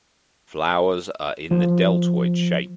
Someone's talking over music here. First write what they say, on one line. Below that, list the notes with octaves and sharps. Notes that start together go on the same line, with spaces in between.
Flowers are in the deltoid shape.
F3